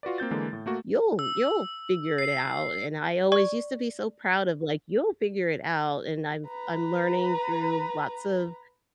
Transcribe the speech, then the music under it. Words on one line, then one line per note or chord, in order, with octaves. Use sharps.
you'll you'll figure it out," and I always used to be so proud of, like, "You'll figure it out," and I'm f I'm learning through lots of
F4 F#4 B4 D5
A#3 C4 G6 A6
D3 E3 G#3 A#3
A2
A3 A#3 F#4
E6
C7
D5 C#6
B4 A#5